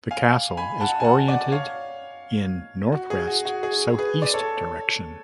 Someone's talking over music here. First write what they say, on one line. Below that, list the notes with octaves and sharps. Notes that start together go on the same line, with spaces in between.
The castle is oriented in northwest–southeast direction.
F5 G#5
G#5 B5
F#5 A5
G#5
F#5 A5
D5 F#5
C#5 F5
F#4
G#4
F#4
F#4
G#4
G#4 B4
D5
A4 C#5